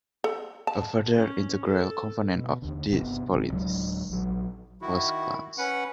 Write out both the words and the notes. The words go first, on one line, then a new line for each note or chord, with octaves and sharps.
A further integral component of these polities was clans.
A4
A5
C#4
A4
B2
D#2 D3
G1 C3 B3
G1 C3
D1 F#3 G#3
A#1 F#3
D#3 E4 F#4
C#4 B4 F#5